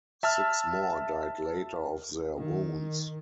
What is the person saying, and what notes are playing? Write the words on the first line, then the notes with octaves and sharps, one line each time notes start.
Six more died later of their wounds.
E5 A5 E6 F6
D#3